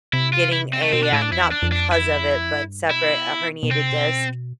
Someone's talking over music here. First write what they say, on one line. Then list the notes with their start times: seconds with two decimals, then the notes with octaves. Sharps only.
getting a, uh, not because of it, but separate a herniated disc.
0.13 C3 E4
0.33 F4
0.52 E4
0.73 C4
0.82 A3
0.92 B2 C4
1.03 D4
1.12 A2 E4
1.22 D4
1.32 F2 E4
1.43 E2
1.51 D4
1.62 F2
1.72 D4
1.92 E4
2.52 G2
2.91 B2 E4
3.63 B2
3.70 C3 C4
3.91 B2